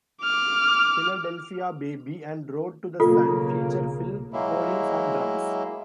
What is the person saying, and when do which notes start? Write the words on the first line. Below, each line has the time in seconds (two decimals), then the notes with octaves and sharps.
"Philadelphia Baby" and "Road to the Sun" feature Phil Collins on drums.
0.22 D6 F6
3.00 B1 C#3 A#3 F4 A4
4.33 F#3 G#3 A#3 E4